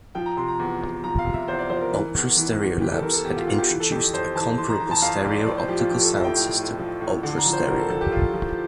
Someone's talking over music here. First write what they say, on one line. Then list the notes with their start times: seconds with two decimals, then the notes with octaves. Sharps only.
Ultra Stereo Labs had introduced a comparable stereo optical sound system, Ultra Stereo.
0.15 F3 G5
0.26 A#5
0.37 C3 C6
0.48 A#5
0.59 E2
0.82 E2
1.04 F3 A#5
1.19 F5
1.26 C3
1.33 E5
1.48 E2 C5
1.59 D5
1.70 F3 C5
1.81 A#4
1.92 E3
2.15 E2
2.37 E3
2.59 E2
2.81 E3 G4
2.92 A4
3.02 E3 A#4
3.14 A4
3.25 E2 G4
3.36 F4
3.47 E2 F4
3.58 G4
3.70 E3
3.80 A4
3.91 F2 G4
4.13 F2 C5
4.36 E3 A5
4.58 E3 C6
4.69 A#5
4.80 E3 A#5
4.91 A5
5.02 F2 F5
5.16 D5
5.24 F2
5.31 D5
5.46 A2 D5
5.57 C5
5.68 F3 G4
5.79 F4
5.90 F3 G4
6.02 A4
6.13 F3 E5
6.24 G5
6.35 A2 G5
6.57 A2
6.79 F3
7.01 A2
7.23 D3
7.38 A#5
7.46 F3
7.53 C5
7.68 D3 A#4
7.79 A4
7.90 F3 A4
8.01 G4
8.12 F3 F4
8.34 F3